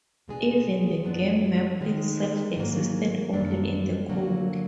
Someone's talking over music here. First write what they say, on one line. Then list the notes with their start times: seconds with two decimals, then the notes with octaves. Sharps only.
Even the game map itself existed only in the code.
0.28 B2 G#3 B3 D4 G#4
1.04 F#2 F3 B3 D4
1.81 D#3 G#3 D#4
2.56 G#2 D#3 F#3 A#3
3.33 F#2 D#3 A#3 D4
4.09 D3 F#3 A#3